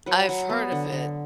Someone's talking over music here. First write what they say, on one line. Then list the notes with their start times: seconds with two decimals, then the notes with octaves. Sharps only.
I've heard of it.
0.06 F#3 B4
0.29 F#3
0.49 B3
0.72 D3
0.92 D3